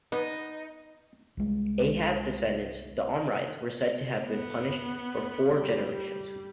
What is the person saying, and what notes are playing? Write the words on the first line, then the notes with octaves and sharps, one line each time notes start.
Ahab's descendants, the Omrides, were said to have been punished for four generations.
B3 D#4
C2 G#3
B3
G3